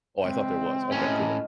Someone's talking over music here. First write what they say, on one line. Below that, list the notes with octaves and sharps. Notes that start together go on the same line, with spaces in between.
Oh, I thought there was. Okay. Cool,
C#3 E3 G#3 C4
D2 A2 C#4 F4 D#5